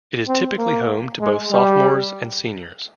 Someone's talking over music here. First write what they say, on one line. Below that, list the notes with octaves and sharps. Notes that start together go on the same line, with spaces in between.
It is typically home to both Sophomores and Seniors.
C4
A#3
G#3
G3